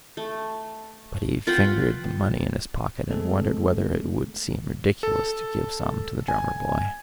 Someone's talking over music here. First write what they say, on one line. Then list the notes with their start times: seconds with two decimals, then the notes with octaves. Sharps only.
But he fingered the money in his pocket and wondered whether it would seem ridiculous to give some to the drummer boy.
0.17 A3
1.47 F4 B4 F#5 G5
3.09 G#3 A3 B3 C4 G#4 A4
5.03 A4
6.28 G#5